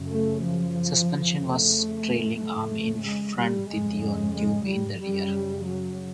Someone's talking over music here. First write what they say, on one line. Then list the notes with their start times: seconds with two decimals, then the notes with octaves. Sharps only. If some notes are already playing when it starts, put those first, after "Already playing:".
Suspension was trailing arm in front De Dion tube in the rear.
Already playing: F#2 C#3
0.09 A3
0.43 F3
1.08 F2 C#3
1.40 A3
2.38 F2 C#3 A3
3.03 G#3
3.36 G3
3.68 F2 C#3 G#3
4.01 G#3
4.34 G#3
4.66 G3
5.00 F#2 C#3 G3
5.65 F#3